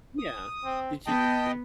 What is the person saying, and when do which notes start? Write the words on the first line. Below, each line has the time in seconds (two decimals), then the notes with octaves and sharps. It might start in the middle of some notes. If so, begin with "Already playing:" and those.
Yeah. Did you like the game?
0.18 D#6
0.64 C4
1.06 B3 D#5 G5 A5